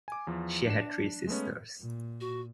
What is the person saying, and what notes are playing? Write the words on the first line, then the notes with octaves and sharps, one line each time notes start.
She had three sisters.
G#5 D6
E2 F3
D4 E7
G#3 A3 B3 C#4
A#2
F#4